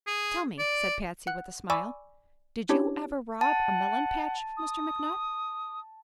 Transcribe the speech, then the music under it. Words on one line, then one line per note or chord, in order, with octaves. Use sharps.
"Tell me," said Patsy, with a smile, "did you ever rob a melon-patch, Mr. McNutt?"
G#4
D5
F#5 F#6
D5 G#5 B5 C#6 D6 E6
C#4 D4 E4 G4 C#5
F#5 A5
D#6